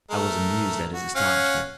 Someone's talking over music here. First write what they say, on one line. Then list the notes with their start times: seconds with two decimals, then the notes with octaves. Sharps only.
I was amused at his astonishment.
0.11 A3 A#4
0.93 F#4
1.16 C#4 F5 F#5